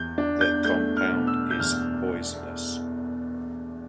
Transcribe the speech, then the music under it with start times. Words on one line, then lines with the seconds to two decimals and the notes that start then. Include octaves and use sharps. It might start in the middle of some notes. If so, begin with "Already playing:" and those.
The compound is poisonous.
Already playing: E2 G6
0.18 D4
0.41 G6
0.65 A3 G6
0.97 F6
1.12 B2
1.27 E6
1.51 G6
1.59 E2 F6